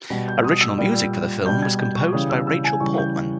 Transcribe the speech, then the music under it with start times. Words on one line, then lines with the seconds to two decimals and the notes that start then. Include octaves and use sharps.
Original music for the film was composed by Rachel Portman.
0.10 B2 G3
0.28 G6
0.44 D#6
0.61 E6
0.78 A#2 G3
1.46 B2 G3 G6
1.62 G#6
1.79 G6
1.96 C#6
2.13 C#3 E3 G3 D#6
2.30 E6
2.47 E6
2.64 G#5
2.80 C#3 E3 G3 C#6
2.98 G6